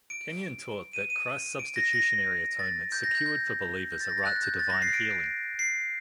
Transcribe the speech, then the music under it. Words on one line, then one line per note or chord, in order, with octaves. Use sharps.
Kenyon taught that Christ's substitutionary atonement secured for believers a right to divine healing.
D7
D#7
D#7
D7
A#6
A#6
A6
G6
A#6
G6
G6
G6
A6
A#6
A6
F#6
G6
A6
A#6
C7
D7
C7